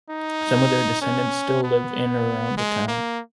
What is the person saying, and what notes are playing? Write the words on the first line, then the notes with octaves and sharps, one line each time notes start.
Some of their descendants still live in or around the town.
D#4
C#4
B3
G#3
A#3